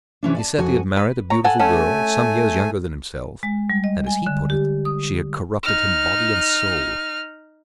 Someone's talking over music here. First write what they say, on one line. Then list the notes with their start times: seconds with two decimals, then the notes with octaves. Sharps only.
He said he had married a beautiful girl, some years younger than himself, and, as he put it, she had corrupted him body and soul.
0.23 C3 E3 C#4 D4
0.35 D5 D#5 A5
0.58 F2 F#4 G#5
0.97 B4
1.30 C#5 A#5
1.44 A4 F#5 G#5
1.59 A3 C#4 A4 F#5 G#5
3.43 G#3
3.70 G3
3.84 D#5
4.07 G#5
4.26 D3
4.50 G4
4.85 D#6
5.64 D#4 F6